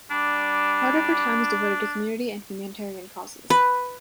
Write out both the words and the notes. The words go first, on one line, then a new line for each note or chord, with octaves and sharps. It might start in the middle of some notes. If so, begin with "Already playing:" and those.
Part of her time is devoted to community and humanitarian causes.
G3 D4
B4